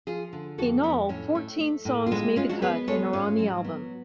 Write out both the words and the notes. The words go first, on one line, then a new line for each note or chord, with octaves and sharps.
In all, fourteen songs made the cut and are on the album.
F3 F4 G#4
D3
F2 F#4 A4
F2 B3 D4
A2 C#4
A3
A3
A2
F4
G#3 B3 D4
G#3 C#4 F4
D4 F#4
B3 G#4 B4
G#3 A4 C#5
G#2 C#4 F4
F#3
B3